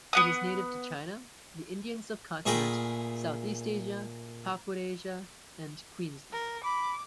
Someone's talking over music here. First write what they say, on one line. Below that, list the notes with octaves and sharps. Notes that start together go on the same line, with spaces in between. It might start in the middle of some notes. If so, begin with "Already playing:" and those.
It is native to China, the Indian Subcontinent, Southeast Asia, Papuasia, and Queensland.
B3 F#5 D#6
A#2 A3 G#4 A#4 G5 B5
A#4
B5 D6